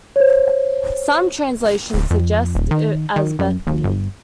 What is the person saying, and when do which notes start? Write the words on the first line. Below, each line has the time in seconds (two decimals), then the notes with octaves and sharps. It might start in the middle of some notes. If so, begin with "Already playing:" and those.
Some translations suggest it as Bethany.
0.16 C5 C#5
1.94 D1
2.11 F2
2.55 D#1
2.71 D#3
3.16 D#3
3.39 F#2
3.67 D#2
3.84 G1